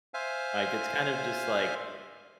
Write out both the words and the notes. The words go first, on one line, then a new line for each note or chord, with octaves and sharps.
Like, it's kind of just, like
C5 E5 F5 G#5